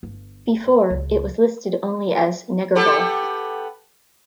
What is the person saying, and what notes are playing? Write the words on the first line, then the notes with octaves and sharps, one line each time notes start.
Before it was listed only as "negerboll".
G1
C#2
B3 G4 A4